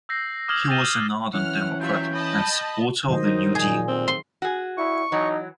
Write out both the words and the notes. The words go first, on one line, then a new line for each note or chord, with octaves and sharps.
He was an ardent Democrat and supporter of the New Deal.
E6 G6 A#6 C7
D6 D#6 F6 G#6 E7 F#7
G6 A6 A#6 D#7 E7 G7
E3 C#4 F#5 F6
F#3 F4 E5 G5
D#5 A5 B5
D#3 F#3 C5 D#5
D#4
A#2 G#4
C4
C6
F#4 G#4
E4 C#6
E3 F#3 D#4